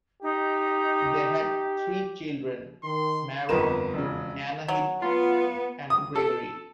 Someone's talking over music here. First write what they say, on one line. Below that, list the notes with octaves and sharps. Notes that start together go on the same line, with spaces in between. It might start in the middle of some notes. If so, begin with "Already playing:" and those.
They had three children; Maro, Anahid and Gregory.
D#4 G4
D#3 C6
G1 F2 B3 A#4 B4 E7
E1 F2 C#3
F#3
B3 F4
D#6
A4